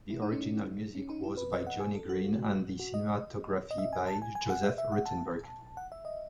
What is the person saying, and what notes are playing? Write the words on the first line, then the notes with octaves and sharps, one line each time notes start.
The original music was by Johnny Green and the cinematography by Joseph Ruttenberg.
E4
D#4
C#4
D#4
C#4
D#4
E4
B4
D#5
F#5
G#5
A4
F#4
F#4
D#5
D#5
E5
G#5
A5
G#5
G#5
F#5
E5
E5
F#5
A5
F#5
E5
D#5